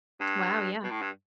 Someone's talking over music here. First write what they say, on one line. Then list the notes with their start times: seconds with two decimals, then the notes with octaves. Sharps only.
Wow, yeah.
0.20 G2
0.83 B2
0.91 A2
1.02 G2